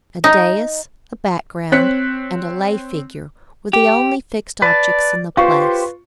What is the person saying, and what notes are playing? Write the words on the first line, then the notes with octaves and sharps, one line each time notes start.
A dais, a background, and a lay-figure were the only fixed objects in the place.
D#4
C4 C#5 F#6 B6 C#7
G4
B4 D5 A5
F4 G4 B4 C5 C#6